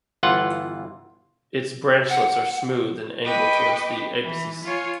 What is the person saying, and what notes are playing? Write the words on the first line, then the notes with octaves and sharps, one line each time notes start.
Its branchlets are smooth and angle towards the apices.
G1 E3 F4 F#5
F#5
B4 D#5 G5 C#6 D6
E3
F4 C#5 F5 G#5